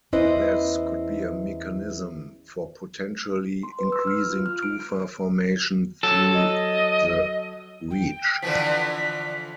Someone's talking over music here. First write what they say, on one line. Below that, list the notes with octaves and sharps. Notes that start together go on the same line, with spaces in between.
This could be a mechanism for potentially increasing tufa formation through the reach.
E2 C#4 E4 B4 C5 D#5
C6
B4
E6
F6
F4
F6
D7
F#3 A4
D#5
G5
D3 E3 F3 B6